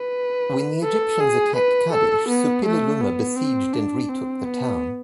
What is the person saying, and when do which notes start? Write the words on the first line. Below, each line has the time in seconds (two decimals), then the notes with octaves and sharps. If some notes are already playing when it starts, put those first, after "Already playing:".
When the Egyptians attacked Kadesh, Suppililiuma besieged and retook the town.
Already playing: B4
0.84 A4
1.20 G#4
1.56 B4
1.92 A4
2.29 B3
2.65 A3
3.01 B3
3.36 C4
3.73 D4
4.09 C4
4.45 B3